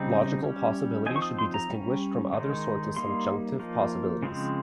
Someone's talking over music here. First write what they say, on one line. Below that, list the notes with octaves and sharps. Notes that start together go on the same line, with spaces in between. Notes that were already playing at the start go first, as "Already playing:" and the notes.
Logical possibility should be distinguished from other sorts of subjunctive possibilities.
Already playing: C#3 G3 C4 D#4
G3 C#4
F3 C4 D#4 G#5
C#6
D#6
C6
A#5
G3 C#4
D#3 G#3 D#4
G3 A#3 D#4 C6
F3 A#3 D#4
C#3 F3 G#3 C4